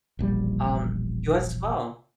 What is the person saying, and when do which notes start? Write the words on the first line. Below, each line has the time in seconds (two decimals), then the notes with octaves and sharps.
um, you as well.
0.19 E1 A#1 G3